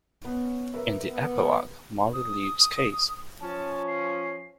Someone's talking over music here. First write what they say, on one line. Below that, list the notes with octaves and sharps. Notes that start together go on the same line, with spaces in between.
In the epilogue, Molly leaves Case.
B3 C#4
A#4 B4 E5
B3
D#6
F3 C#4 A5
C7